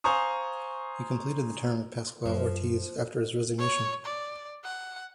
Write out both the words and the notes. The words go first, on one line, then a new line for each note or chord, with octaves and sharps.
He completed the term of Pascual Ortiz after his resignation.
C5 F5 G#5 A#5 C#6 D#6
F#2 F3
C#5
D5
F#5